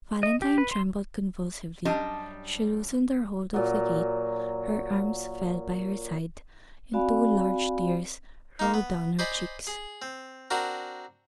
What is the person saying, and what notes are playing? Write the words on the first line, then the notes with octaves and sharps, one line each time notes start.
Valentine trembled convulsively; she loosened her hold of the gate, her arms fell by her side, and two large tears rolled down her cheeks.
D#5
G4
B4
C6
F#2 G3 D4 G4 D#5 A5
A#2 F#3
C4 F#4 D5 F5 G#5 B5
A#3 D#4
B3
C5 D5 D#5 G#5 B5
G#4
C4
C4 D4 F#4 A#4